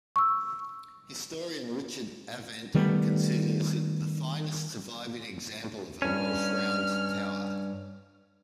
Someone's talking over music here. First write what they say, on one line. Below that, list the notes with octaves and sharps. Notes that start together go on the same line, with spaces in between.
Historian Richard Avent considers it "the finest surviving example of a Welsh round tower".
C#6 E6
D#3 G3 A3 B3
G2 C#4 F6